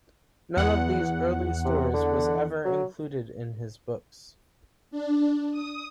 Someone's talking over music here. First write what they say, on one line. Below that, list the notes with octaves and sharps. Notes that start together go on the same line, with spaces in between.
None of these early stories was ever included in his books.
E2 F#5
C3
D3
F#3
D4
D#6